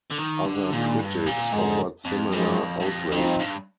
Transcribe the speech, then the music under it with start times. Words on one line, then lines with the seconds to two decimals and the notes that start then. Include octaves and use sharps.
Other critics offered similar outrage.
0.11 D3
0.19 D#3
0.46 D3
0.72 A#2 D#3 G#3 D4 F4
0.99 G2
1.26 A#2
1.52 F2 G#2 D3 G#3
2.05 F2
2.32 G2 F3 G#3 D#4
2.59 F2
2.80 G2
2.86 F2
3.12 G2 F3 C4 D#4
3.39 G2